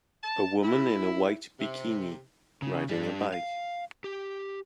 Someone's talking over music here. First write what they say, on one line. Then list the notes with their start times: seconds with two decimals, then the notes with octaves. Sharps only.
A woman in a white bikini riding a bike.
0.23 A5
0.62 E4
1.59 C3
2.62 C#3
2.90 G3 D4
3.34 F5
4.04 G4